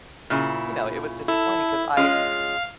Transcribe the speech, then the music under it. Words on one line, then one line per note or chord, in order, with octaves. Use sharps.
you know, it was disappointing 'cause I
A#2 C#3 E4
E4 A4
G#3 C#4 F4 F5